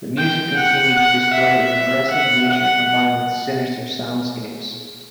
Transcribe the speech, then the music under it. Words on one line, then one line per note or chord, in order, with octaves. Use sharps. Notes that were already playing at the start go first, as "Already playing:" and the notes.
The music continued to display an aggressive nature combined with sinister soundscapes.
G5
F#5
F#5
E5
F#5
F#5